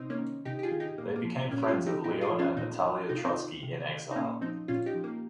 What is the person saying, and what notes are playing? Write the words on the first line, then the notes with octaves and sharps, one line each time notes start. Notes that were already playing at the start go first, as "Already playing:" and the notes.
They became friends of Leon and Natalia Trotsky in exile.
Already playing: C3 C4 D#4
A#3 C#4
D#3
C3 D#4 G4
G4
F4 G#4
D#3
D#4 G4
A#2 A#3
A#3
F3
A#2 A#3 C#4
G4
C#4 F4
F3
D#4 G4
A#2 D#4 G4
F4 G#4
F3
C#4 F4
A#2 C4 D#4
F3
C3 D#4
F4
C4 D#4
D#3
C3
D#3
D#4
A#2 A#3 C#4
F3 C4 D#4
A#2 C#4 F4
D#4 G4
F3
A#3